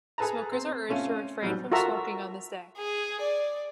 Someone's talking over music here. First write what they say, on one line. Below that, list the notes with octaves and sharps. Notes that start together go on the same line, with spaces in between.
Smokers are urged to refrain from smoking on this day.
G#4 A4 B4 A5 A#5
C4
C3 A3 C#4 F4
G#2 F#3 G3
F4 F#4 A4 A#4 E5 A#5
G#4
D5